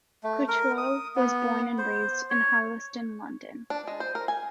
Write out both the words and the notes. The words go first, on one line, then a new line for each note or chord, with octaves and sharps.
Crichlow was born and raised in Harlesden, London.
A3
A#4
D#6
B3
C5
C#5
D4
G#3
C5
A#4
G#5